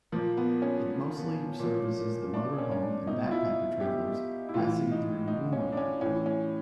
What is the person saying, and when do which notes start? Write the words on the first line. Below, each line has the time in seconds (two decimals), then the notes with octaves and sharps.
It mostly services the motor home and backpacker travellers passing through Woomera.
0.12 A#2 F3 A#3
0.37 B3
0.62 C#4
1.60 A#2 F3
2.34 D4
2.58 C#4
2.72 C#4
2.83 D4
3.07 B2 D#4
3.26 F4
3.31 E4
3.81 G4
4.49 E4
4.54 A2 E3 F4
4.92 D#4
5.28 D#4
5.53 C#4
5.72 D4
5.77 C#4
6.01 A2 E3 C#4
6.26 C#4